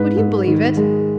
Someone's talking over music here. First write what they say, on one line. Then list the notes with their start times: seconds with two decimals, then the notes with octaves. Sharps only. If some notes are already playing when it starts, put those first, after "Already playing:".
Would you believe it?
Already playing: G#2 B4
0.17 G#2
0.47 D#3
0.77 G#3